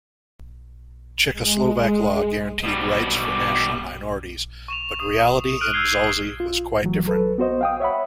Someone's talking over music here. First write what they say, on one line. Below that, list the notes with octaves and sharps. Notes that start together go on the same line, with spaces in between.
Czechoslovak law guaranteed rights for national minorities but reality in Zaolzie was quite different.
G#3
B2 G3
C#6 E7 F7
D#6
D#6
F6 F#6 D7 D#7 F#7
E6 F6 G6 G#6 C7 G7
F4
A2 E3 F#3
F#3 A4 B4
B3 F#4 C5 D#5
F5 G5 D#6
C#5 E5 F#5 B5